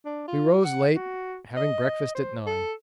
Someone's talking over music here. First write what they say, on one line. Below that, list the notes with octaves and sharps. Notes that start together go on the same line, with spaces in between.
We rose late, having breakfast at nine.
D4
F4
F#5
F#4
D#5
C5
A4